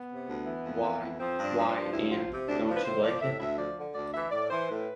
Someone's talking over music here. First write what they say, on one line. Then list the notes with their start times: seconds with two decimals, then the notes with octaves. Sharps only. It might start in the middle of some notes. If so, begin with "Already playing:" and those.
Why — why — Anne, don’t you like it?
Already playing: B3
0.09 C3
0.28 D2
0.46 E3
0.64 F2
0.83 E3
1.01 F2
1.19 F3 C4
1.38 G2
1.44 D4
1.57 F3
1.68 D4
1.75 G2
1.93 D2 E4
2.11 F3 F4
2.29 C3
2.48 D2 D4
2.67 F3 D4
2.76 B4
2.85 A2 C5
3.03 F3 D5
3.21 A2 E5
3.40 D2 E5
3.58 F3 D5
3.77 D3
3.95 D2 D5
4.14 E3 E5
4.31 A2 D5
4.50 E3 C5
4.69 A2 B4